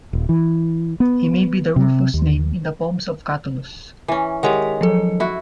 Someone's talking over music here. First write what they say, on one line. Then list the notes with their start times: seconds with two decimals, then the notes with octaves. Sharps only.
He may be the Rufus named in the poems of Catullus.
0.13 D#1
0.29 E3
1.00 B3
1.76 C3
2.14 D#2
4.08 E3 C#4
4.43 D#3 G#3 G4 C#5 F#5
4.81 F3 F#3 A4
5.20 E4 F#4